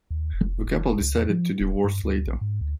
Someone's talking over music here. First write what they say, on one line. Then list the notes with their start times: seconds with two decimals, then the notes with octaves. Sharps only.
The couple decided to divorce later.
0.11 D#2
0.34 F1
0.67 F1
1.01 C#2
1.15 E2
1.30 F3
1.60 D#1
1.84 G2
2.04 D2
2.27 A#1
2.41 G#2
2.61 D2